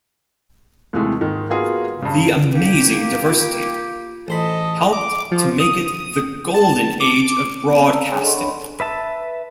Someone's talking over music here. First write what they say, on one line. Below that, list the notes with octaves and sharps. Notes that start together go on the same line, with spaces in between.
The amazing diversity... helped to make it the golden age of broadcasting.
D#2 C3 E3 G#3 A3
G#2 D#3
A#3 B3 F4 F#4 G#4
G2 C#3
A#3 G4
F4
A1 A4 C5 D#5 B5
D6
F3
D#6
A5
D6
B3 B5
C4 A5
D5 A#5 E6
D4 G#4 C#5 G#5
A4 D#5 F#5 C6 C#6
D4 C#5 B5
B4 E5 A5